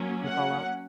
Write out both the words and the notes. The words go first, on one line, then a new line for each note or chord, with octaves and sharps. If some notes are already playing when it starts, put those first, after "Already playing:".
You fall off?
Already playing: F#3 A#3 C#4
F#5